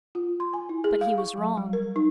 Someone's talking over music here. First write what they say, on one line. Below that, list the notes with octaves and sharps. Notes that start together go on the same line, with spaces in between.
But he was wrong.
F4
C6
G#5
E4
G#4
F5
C#6
F#3
G3
A#4
D#4